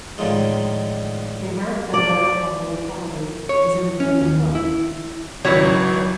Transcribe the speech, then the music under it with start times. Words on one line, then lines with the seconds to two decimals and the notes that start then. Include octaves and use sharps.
A rare photo of the locality is in Blaineys book.
0.18 A2 D3 D#3 F3 G#3
1.94 D5
3.49 C#5
4.00 C#4
4.21 D#2
4.55 E4
5.45 G#1 C#2 F#3 E4 F#4 C#5